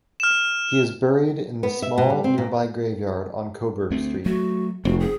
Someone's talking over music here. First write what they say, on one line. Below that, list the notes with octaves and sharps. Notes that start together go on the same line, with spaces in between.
He is buried in the small nearby graveyard on Coburg Street.
F6 E7
B3
E5
B2
G3
C4
A#2
D2 A3 C4
F#3 A3 F#4
F1 C4 F#4
G#4